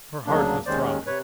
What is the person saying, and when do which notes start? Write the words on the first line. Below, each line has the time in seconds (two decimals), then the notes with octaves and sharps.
Her heart was throbbing.
0.26 D2 C#3 F#3 A#3 D4
0.66 D#2 D#3 G#3 C#4 C5 D5
1.06 C3 B4 C#5